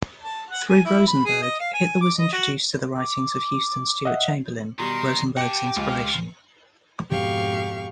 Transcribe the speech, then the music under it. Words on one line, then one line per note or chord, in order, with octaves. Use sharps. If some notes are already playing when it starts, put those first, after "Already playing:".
Through Rosenberg, Hitler was introduced to the writings of Houston Stewart Chamberlain, Rosenberg's inspiration.
A5
F#5
G#5
E4
B5
G#4
D#5
F5
G#5
D6
D#5
F#4
D6
D#5 E5 F#5
B2 D#3 G3 A#5 C6
G4 F#5 G5 A5 A#6 F#7
C#2 F3 F4
F2 G#2 B2 G4 F5 C#6